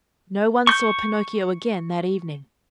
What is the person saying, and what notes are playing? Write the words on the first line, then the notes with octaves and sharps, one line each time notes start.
No one saw Pinocchio again that evening.
C#6 G6